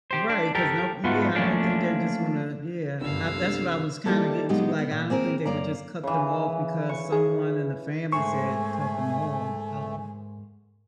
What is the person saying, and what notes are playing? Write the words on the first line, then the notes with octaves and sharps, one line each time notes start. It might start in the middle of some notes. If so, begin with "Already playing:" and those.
Right, 'cause no Yeah, I don't think they're just wanna yeah, uh, that's what I was kinda getting to, like, I don't think they would just cut them off because someone in the family said "Cut them off," so
G4 C5
D4
G4 A4 A#4
G#2 A3 B3 F4 F#4
F3 A3 A#3 C#4 D4 F4
G1 C2 F#2 D3 D4 F5 E6
D#3 G3 A#3 E4 A4
A#2 F#3 G#3 B3 D#4 G4
B3
A#2
A#3 C4 G#4 A#4
F#2 A#3 D5 A#5
C#3 E3
C#6
G#4
G#2 A3 A#3 C5 G#5 C#6